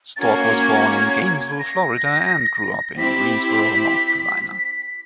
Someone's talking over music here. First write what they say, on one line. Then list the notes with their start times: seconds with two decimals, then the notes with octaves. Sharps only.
Stork was born in Gainesville, Florida and grew up in Greensboro, North Carolina.
0.16 A6
0.20 A#3 C#4 F#4 A#4 G#6
1.59 A#6
2.98 C4 E4 G4 B6